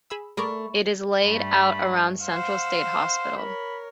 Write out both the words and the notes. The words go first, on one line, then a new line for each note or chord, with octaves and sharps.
It is laid out around Central State Hospital.
G#4 B5 E6
A3 G#4 A#4 D5 B5 C#6
G2 G3 A3 B5
C5 F5 F#5 E6
A#4 C#5 B5